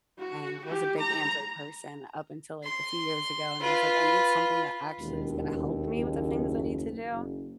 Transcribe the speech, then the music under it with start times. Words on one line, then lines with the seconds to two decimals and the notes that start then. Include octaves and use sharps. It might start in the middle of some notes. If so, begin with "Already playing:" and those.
and I was a big Android person up until, like, a few years ago, and I was like, "I need something that actually is gonna help me with the things I need to do,
0.19 F#4
0.66 G4
0.99 A#5
2.64 C6
3.62 F4 B4
4.99 E1 D#2
5.96 F#1
7.13 F#1